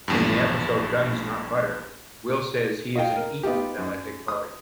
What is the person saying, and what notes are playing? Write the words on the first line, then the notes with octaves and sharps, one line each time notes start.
In the episode Guns Not Butter, Will says he is an Eton valedictorian.
A#1 E2 G2
D#5 F5 G5
A#4
B3 D#4 F4 G4
F#2
D#6